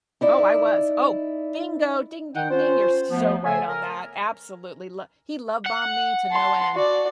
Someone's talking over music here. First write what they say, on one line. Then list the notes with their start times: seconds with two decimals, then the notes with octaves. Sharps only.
Oh, I was, oh, bingo, ding ding ding, you're so right on that. Absolutely, lo he love bombed me to no end,
0.21 D#4 E4 D5
2.36 D#3 F#5 G5
2.51 C#4 F4 C5
3.11 D2 F3 B3
3.44 C#3 A3 A4 C#5 E5 G#5
3.69 A#4
5.66 F#5
6.31 A5 C6
6.75 F#4 D5